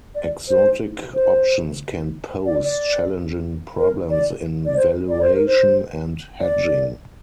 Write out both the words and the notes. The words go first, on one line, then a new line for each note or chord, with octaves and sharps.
Exotic options can pose challenging problems in valuation and hedging.
D5
C5
C5
D5
D5
A#4
D5
D5
C5
D5
C5
A#4
C5
D5